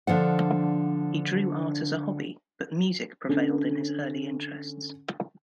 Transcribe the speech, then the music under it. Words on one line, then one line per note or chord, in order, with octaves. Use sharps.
He drew art as a hobby, but music prevailed in his early interests.
D3 F3 D4 F#5
D3 C#4